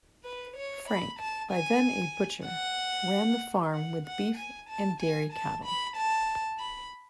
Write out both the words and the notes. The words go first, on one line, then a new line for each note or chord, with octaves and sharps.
Frank, by then a butcher, ran the farm with beef and dairy cattle.
B4
C#5
B5
A5
G#5
F#5
F#5
F#5
G#5
A5
G#5
A5
B5
A5
B5